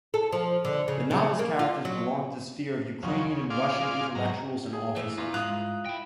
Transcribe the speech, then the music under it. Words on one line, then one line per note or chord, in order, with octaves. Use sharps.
The novel's characters belong to the sphere of Ukrainian and Russian intellectuals and officers.
A4
F3
D3
C#3
C#3
A#3
F4
F#3
D#2 C#3 F3 F#3
C#3
F4 G#4 D5 F5 C6 D6
G#2 F#3 A#5
G#4
A#2 E3 A3
E2 F4
G#2 G#3 F4 A#5 D#6 F#6
E4 G5